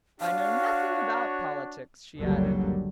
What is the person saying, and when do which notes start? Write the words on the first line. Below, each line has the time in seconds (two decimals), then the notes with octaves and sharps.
"I know nothing about politics," she added.
0.21 D4 F#4 C#5 F5
2.17 F#1 C#2 D3 F#3 G3 A#3